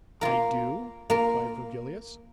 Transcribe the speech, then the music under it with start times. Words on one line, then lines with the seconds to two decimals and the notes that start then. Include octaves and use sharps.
'I do,' replied Virgilius.
0.21 A#3 F4 A#4
1.10 A#3 F4 A#4